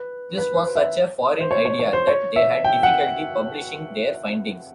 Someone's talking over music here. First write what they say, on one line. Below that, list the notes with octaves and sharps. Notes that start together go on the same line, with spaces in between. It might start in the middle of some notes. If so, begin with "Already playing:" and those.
This was such a foreign idea that they had difficulty publishing their findings.
Already playing: B4
B4
C5
E5
C5
C#5
C#5
C#5
C5
C#5
E5
G5
F#5